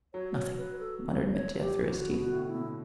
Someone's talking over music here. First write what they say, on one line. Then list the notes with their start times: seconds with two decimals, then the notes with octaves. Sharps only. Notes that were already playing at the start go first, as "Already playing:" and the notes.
"Nothing," muttered Mitya, through his teeth.
0.14 F#3 C#5
0.36 C#5
0.57 B4
0.80 A4
1.31 C#5
1.60 G4
1.81 E3
1.88 D3 F#4
2.10 B2 E4
2.17 F#4
2.24 B2
2.33 A2
2.47 E4
2.55 B2